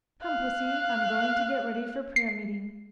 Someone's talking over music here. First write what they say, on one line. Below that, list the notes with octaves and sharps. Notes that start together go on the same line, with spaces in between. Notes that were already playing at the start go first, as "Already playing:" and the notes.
Come, pussy, I'm going to get ready for prayer meeting.
F5 F#6
C7